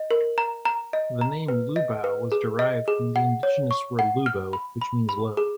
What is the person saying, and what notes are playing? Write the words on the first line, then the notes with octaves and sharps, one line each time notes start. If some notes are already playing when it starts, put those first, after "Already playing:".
The name Lubao was derived from the indigenous word "lubo" which means low.
Already playing: D#5
A#4
A#5
A#5
D#5
A#5
B4
D#5
B4
G#4
D#5
G#4
F#5
C#5
C#6
F#5
F6
B5
B5
B5
G#4